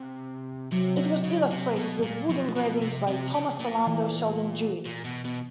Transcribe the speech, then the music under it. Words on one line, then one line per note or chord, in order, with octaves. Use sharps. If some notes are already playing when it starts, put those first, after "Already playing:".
It was illustrated with wood engravings by Thomas Orlando Sheldon Jewitt.
Already playing: C3
C3 F#3
C3
C#3
C3
B2
A#2
B2 F3
B2
C3
C3
C#3
A#2
E3
A#2
B2
B2